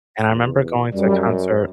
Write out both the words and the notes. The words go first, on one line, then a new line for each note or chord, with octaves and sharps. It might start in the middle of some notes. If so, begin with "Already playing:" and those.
and I remember going to a concert
E2
F#2 G3